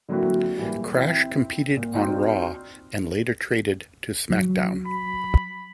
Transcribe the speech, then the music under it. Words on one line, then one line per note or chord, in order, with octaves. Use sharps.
Crash competed on Raw and later traded to SmackDown!
D3 F#3 A#3 C4 E4 F#4
A#2 E3 G3
C4 E4
A#2
C4 D4 D#4 F4 F#4
F#3
B5